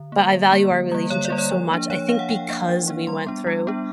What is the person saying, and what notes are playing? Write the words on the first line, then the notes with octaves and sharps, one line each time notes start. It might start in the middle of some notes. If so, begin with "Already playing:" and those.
But I value our relationship so much, I think because we went through
Already playing: D3
G3 A#3
D3
G3 A#3
D3
G3 A#3
D3 C#5
D5
G3 A#3
C#5
F3
A#3 D4
F3 C#5
A#3 D4 F5
F#5
F3 G5
A#3 D4 G5
F3
A#3 D4
G3 C6
B3 D4
G3
B3 D4